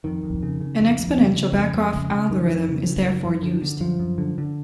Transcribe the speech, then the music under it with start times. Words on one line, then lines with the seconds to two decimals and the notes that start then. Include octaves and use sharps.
An exponential backoff algorithm is therefore used.
0.04 F2 D#3
0.23 F2
0.43 C#3
0.61 C#3
0.81 F2
0.99 F2
1.18 C#3
1.36 C#3
1.55 F2
1.73 F2
1.92 C#3
2.12 C#3
2.30 F2 D#3
2.49 F2
2.68 C#3
2.86 C#3
3.05 F#2
3.25 F#2
3.43 D3
3.62 D3
3.80 F#2 F3
3.99 F#2
4.18 D3
4.38 D3